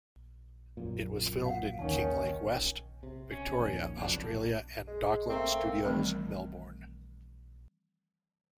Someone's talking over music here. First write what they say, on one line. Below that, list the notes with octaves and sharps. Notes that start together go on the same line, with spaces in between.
It was filmed in Kinglake West,Victoria, Australia and Docklands Studios Melbourne.
F#2 A#2
F5 F#5
D#2 D#3 C#4 A5
C3
C#4
A#1 D#2
F#1 F2 B2 D4
G#3
A3 A#3 C4
D#3 E3 G3 A3 C4